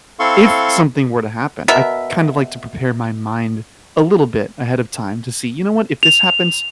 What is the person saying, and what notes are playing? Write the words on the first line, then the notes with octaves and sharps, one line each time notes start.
if something were to happen, I'd kind of like to prepare my mind a little bit ahead of time to see, "You know what? If this happens,
C4 E4 A4 F5 C6 C#6
B2 A#4 E5
F7